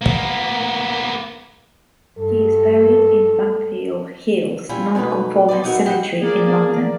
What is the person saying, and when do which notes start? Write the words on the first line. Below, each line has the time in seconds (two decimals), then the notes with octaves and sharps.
He is buried in Bunhill Fields non-conformist cemetery, in London.
0.01 A#3 B3
2.18 G2 A4
4.69 G3 C#4 E4 F4
4.95 F2 B2 D#4 B4
5.48 E2 F3 B4 D5
5.64 F#3 D#4 F#4 G4 A#4 E5
5.85 G3 G#3 F#4 G4
6.20 A#3 G#4 D5